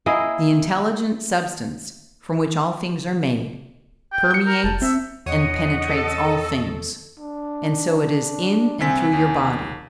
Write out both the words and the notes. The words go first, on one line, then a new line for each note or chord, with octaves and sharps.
The Intelligent Substance, from which all things are made, permeates and penetrates all things; and so it is in and through your body.
A#3 E4 G#4 D#5
G5
G6 C#7
A#4
F1 A5
C4 E5
E2 C#5 D#5 F#5 D#6
A4
D4
C2 C4 G#5 B6
D#2